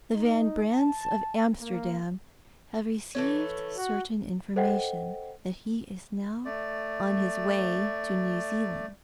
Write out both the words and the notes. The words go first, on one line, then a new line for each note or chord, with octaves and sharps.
The Van Brandts of Amsterdam have received certain information that he is now on his way to New Zealand.
D#4
A5
A#3
E3 A3 C#4
F#4
A4 C5 D#5 F#5 G5
A3 D5